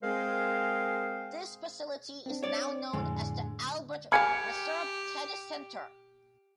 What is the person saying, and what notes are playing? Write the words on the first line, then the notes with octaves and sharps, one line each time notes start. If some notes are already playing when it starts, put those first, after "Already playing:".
This facility is now known as the Albert Reserve Tennis Centre.
G#3 C4 G#4 A#4 C5 F5
C4 D4
C#5 D5
F2 A2 D3 G#3
G4 F5 G#5 B5 F6 G#6 C#7